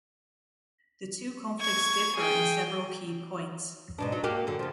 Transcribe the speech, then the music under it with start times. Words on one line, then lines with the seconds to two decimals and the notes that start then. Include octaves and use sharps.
The two conflicts differ in several key points.
1.60 C#6 G#6
2.16 G#4 G5
3.98 G#2 B2 D4
4.12 F#3
4.24 A#3 F#4 G4
4.47 F#2 D3
4.59 C#3 F3